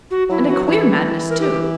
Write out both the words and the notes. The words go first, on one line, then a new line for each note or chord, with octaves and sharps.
And a queer madness, too.
F#4
F#3 E4
E3
F#4
F#3
E3 E4
A#4
G4